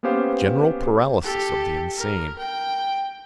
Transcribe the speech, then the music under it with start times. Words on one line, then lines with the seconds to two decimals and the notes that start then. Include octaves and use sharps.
General paralysis of the insane!
0.03 A#3 B3 C#4 G4 C5 F5
1.23 G4 A4
1.97 A#4
2.38 G5